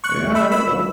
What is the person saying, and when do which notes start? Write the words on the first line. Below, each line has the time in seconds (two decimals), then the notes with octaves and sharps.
like, "Alright, well"
0.04 C#6 F#6
0.35 B5 E6
0.52 B5 E6